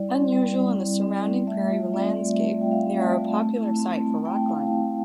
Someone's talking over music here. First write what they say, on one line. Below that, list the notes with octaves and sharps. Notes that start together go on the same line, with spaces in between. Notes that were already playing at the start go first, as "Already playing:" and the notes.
Unusual in the surrounding prairie landscape, they are a popular site for rock climbing.
Already playing: G3 E4 D5
C4
G3
G3
E4
C4
G3
A3 E5
F4
C4 D5
A3
A3 E5
F4 G5
F5
C4
A5
A3
A3 A5
E4
C4 A5
A3
A3 G5
E4 F5
C4